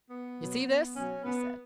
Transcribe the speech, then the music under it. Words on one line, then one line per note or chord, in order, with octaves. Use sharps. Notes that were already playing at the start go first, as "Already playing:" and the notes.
"You see this?" he said.
B3
B2 F#3
B2 F#3 C#4
B3